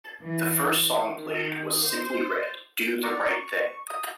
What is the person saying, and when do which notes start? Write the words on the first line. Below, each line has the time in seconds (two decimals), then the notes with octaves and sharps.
The first song played was Simply Red - Do The Right Thing.
0.22 E3
1.07 D#3
1.86 C5
3.03 D5 A#5 C#6
3.39 C#6
3.88 D#6